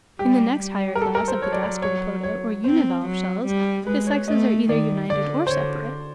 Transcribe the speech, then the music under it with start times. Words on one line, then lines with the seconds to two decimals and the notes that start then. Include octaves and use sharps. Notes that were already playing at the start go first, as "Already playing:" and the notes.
In the next higher class of the Gasteropoda, or univalve shells, the sexes are either united or separate.
0.19 G3 G4
0.60 G3
0.95 A#4
1.02 A4
1.15 A#4
1.28 C5
1.42 F#3 C#5
1.53 D5
1.63 D5
1.82 C#5
2.23 C#5
2.64 C4 C5
3.05 F#3
3.46 G3
3.87 G#3 B4
4.07 C#5
4.28 A3 D#5
4.68 D#3 D5
5.10 D3 D5
5.47 C5
5.50 D3 C#5